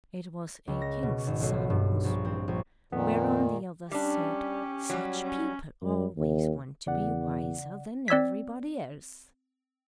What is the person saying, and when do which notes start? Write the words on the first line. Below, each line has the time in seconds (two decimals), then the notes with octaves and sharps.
It was a king's son who spoke; whereon the others said, "Such people always want to be wiser than everybody else."
0.67 C#2
0.82 A#6
1.03 B2
1.27 G#1
1.41 B1
1.70 G2
2.05 A#1
2.25 C4
2.48 A#1
2.92 F2 A#2 D#3 B3
3.91 G3 C#4 D4 G4
4.90 F#3 G3
5.23 C#4
5.82 F#2
6.17 D#2
6.86 E2 C#3 D5 F#5
8.08 C4 D5 E6 G#6 B6